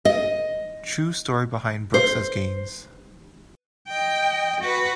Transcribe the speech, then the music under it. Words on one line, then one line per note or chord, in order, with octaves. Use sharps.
True Story Behind Brooks as Gaines.
D#5
C5
D#5 G5
F#4 B4